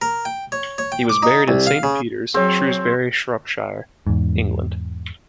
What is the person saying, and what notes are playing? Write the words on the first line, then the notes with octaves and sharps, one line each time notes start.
He was buried in Saint Peter's, Shrewsbury, Shropshire, England.
A#4
G5
C#5
C#5
G5
D6
D#4
C2
F5
C#3
F#3 C4 G#4 C#5
E2 G#2